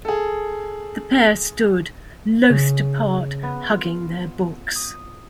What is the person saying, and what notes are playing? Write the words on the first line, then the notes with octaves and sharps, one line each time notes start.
The pair stood, loth to part, hugging their books.
G#4 A4
C#3
B3
F4
D#6